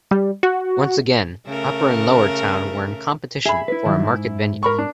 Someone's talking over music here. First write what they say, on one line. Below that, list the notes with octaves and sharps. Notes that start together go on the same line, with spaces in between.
Once again Upper and Lower Town were in competition for a market venue.
G3
F#4
C#3 A3 A#4
G#4 E5 B5
E4 B4
D#3 E3 F#3 E4
G#2
A#4 B5 C#6
D4